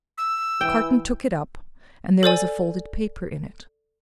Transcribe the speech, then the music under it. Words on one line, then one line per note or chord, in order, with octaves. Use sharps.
Carton took it up, and there was a folded paper in it.
E6
E3 G5
A4 C5 D5 G#5